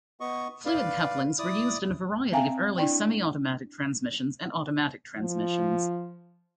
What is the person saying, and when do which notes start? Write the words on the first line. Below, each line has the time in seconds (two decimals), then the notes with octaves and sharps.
Fluid couplings were used in a variety of early semi-automatic transmissions and automatic transmissions.
0.20 B3 D#5 C#6
0.65 B4 D5 F5
1.39 E4 D5 D#6
2.32 C4 E5 F5 G5 G#5 A#5
2.78 D4 E4 D5 G5
5.21 F3